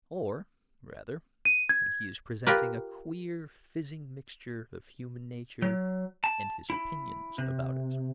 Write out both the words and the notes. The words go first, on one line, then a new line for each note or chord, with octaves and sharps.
Or, rather, when he is presenting a queer fizzing mixture of human nature and his opinions about it.
D#7
G#6
F4 G4 A#4 B4
F#3
A5
E4
C3